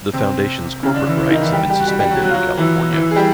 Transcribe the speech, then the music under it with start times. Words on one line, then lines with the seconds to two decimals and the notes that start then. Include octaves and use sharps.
The foundation's corporate rights have been suspended in California.
0.13 C3 C4
0.83 C#3 C#4
0.94 D3 D4
1.06 E3 E4
1.17 E3 E4
1.30 D#3 D#4
1.41 E3 E4
1.53 G3 G4
1.70 G3 G4
1.80 F#4
1.87 G3 G4
1.99 G3 G4
2.10 F#3 F#4
2.22 F#3 F#4
2.29 F4
2.34 F#3 F#4
2.57 E3 E4
2.92 E3 E4
3.11 G#4
3.16 G3 G4